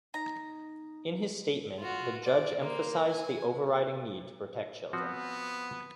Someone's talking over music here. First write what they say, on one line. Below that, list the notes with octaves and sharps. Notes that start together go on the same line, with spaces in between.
In his statement, the judge emphasised the overriding need to protect children.
D#4 A#5
F4 F#4
D5
A#3 C5
G#5
F3 B3 C4 F#4